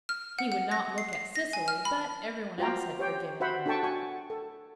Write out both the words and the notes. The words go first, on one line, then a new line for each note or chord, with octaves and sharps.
He would not look at Cecily, but every one else had forgiven her.
F6
F#5
F#5
A#6
C7
C7
A#6
G#5
F6
B5
F4 F#4 C5 G5 A#5
G4 C5 C#5 G5
F#4 C5 E5 F#5 B5
D4 F#4 A4 G5 A5 C#6
F#4 G#5 C#6
A4